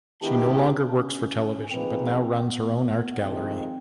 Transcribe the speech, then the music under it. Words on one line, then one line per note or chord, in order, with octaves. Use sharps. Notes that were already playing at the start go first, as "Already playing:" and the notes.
She no longer works for television but now runs her own art gallery.
D#3 G#3 B3 D4 E4 G4
C#4
F3 A#3 C4 D#4 G#4 B4
B3
F2 C3 D#3 G#3 C4